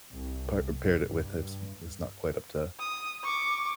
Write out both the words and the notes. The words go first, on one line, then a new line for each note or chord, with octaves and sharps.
pa uh, paired it with is is not quite up to
C2
G2
D#6
C#6 D6